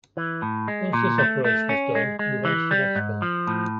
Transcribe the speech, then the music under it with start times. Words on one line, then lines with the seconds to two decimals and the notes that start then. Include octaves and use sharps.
Once this operation is done, move on into the next one.
0.17 E3
0.42 A2
0.68 G#3
0.93 A#2
1.18 A3
1.44 A3
1.69 C#4
1.95 G#3
2.19 G#3
2.45 E3
2.71 G3
2.96 G#2
3.22 F3
3.47 A2